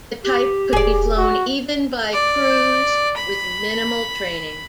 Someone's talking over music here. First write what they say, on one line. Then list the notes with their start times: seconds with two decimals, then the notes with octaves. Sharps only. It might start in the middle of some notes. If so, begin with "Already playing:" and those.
The type could be flown even by crews with minimal training.
0.23 G4
0.73 E1 G#4 D5
1.17 F#4
2.12 D5
3.17 B5